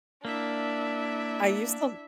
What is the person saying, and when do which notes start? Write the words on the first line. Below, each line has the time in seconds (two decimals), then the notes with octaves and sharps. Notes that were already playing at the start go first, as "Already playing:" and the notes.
I used to l
0.25 A#3 D4 E4 E5